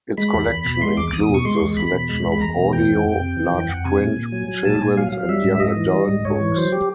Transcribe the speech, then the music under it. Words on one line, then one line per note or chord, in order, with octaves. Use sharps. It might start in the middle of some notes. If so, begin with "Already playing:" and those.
Its collection includes a selection of audio, large print, children's and young adult books.
G#3 B5
E2
E2
B2
G#3 C6
E2 D6
E2 D#6
D#6
B2 C#6
G#3 C6
C#6
E2
E2 B5
B2
G#3
E2
B5
E2 A#5
B2
E3 G5
F2
F2
C3
E3
F2
F2 F#5
C3 G#5
A#2
A#2
F#3
F#3
A#2 A5
A#2 G#5
F#3 F5
F#3 F5
G3 E5
G#2
G#2 D#5
E3
G3
G#2
G#2 C#5
E3
F#3 C5
G4